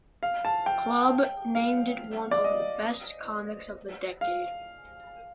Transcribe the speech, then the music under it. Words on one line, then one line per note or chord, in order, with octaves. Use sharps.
Club named it one of the best comics of the decade.
F5
A5
G5
F5
D5
D#5
F5